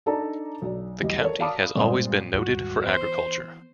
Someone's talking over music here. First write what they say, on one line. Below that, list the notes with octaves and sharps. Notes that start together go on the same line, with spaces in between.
The county has always been noted for agriculture.
D4 D#4 A4 D5 A5 A#5
B1 D5
E2 G3 D#5
A4 A#4 C#5
D5 F5 A5 B5 D6 D#6
G2 A#2 G#3 C4 D5 C6
D#2 G#2 G3 F#4
E3 B3 C5